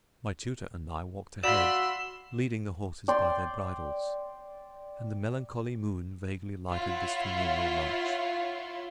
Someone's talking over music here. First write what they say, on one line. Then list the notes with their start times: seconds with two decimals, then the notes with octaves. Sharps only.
My tutor and I walked ahead, leading the horses by their bridles, and the melancholy moon vaguely lighted this funereal march.
1.44 F#4 D5 F5 B5 C6 E6 E7
3.08 D5 G5 C6
6.70 E4 F4 C#5 E5 F#5